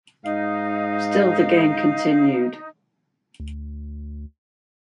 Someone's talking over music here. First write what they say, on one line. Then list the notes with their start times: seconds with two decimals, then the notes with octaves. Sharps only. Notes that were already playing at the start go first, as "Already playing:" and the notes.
Still the game continued.
0.25 G#2 D#4 F5
3.40 D2